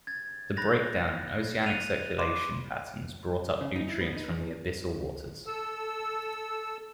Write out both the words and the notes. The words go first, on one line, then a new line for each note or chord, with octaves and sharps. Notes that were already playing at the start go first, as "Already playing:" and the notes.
The breakdown in the oceanic circulation patterns brought up nutrients from the abyssal waters.
G#6 A6
B5 F#6 G6 A6 A#6 F7
F#6 A6 D#7 F7
B5 C6 D6 E7
C#3
D#4
E4
B3
D#4
E2
A4 E6